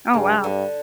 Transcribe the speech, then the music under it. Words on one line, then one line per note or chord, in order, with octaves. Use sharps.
Oh wow.
G2 C#3
G2 D3